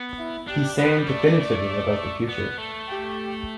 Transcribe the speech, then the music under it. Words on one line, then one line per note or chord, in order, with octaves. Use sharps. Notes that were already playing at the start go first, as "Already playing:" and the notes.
He sang definitively about the future.
Already playing: B3
E4
D4 G4
B3 B4
G3
A3 D5
B3
A3
G4